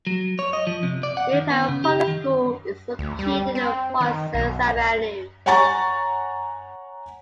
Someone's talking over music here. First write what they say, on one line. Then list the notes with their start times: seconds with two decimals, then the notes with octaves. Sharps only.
Milperra Public School is located on Pozieres Avenue.
0.07 F#3
0.39 C#5
0.53 D#5
0.67 F3
0.83 C3
1.03 D5
1.17 F#5
1.33 D#3
1.50 B3
1.68 C#3
1.84 G4
2.08 D#3
2.99 D2
3.19 G3
3.55 C4
4.00 D#3
4.34 B1
5.46 C#5 F#5 G#5 A#5 C#6 A6